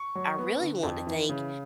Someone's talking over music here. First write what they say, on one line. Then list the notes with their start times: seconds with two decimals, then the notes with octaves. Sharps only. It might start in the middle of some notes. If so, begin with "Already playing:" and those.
I really want to think
Already playing: C#6
0.15 F#3
0.38 B3
0.61 D3
0.83 F2
1.07 E3
1.29 C#3